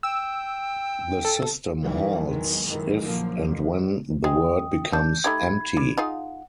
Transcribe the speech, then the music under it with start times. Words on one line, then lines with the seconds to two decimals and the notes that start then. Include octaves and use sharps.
The system halts if and when the word becomes empty.
0.03 G5 E6
1.25 A4
1.83 D#3 E3 F#3 G3
2.26 A#1 E2 D#3 F#3 G#3
2.67 F#2 D#3 E3
3.03 A#1 D3 F3 F#3 A#3
3.47 F2
4.24 G#3 G5 D#6
4.93 D4 G6
5.24 A3 D#4 G4 B5 G#6
5.77 G3
5.98 D#4 F4 G#4 F#5